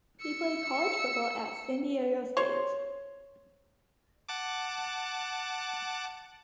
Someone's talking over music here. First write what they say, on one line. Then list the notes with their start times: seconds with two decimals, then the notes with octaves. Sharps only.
He played college football at San Diego State.
0.21 E6 C#7
2.37 C5 C#5
4.29 F#5 A5 D6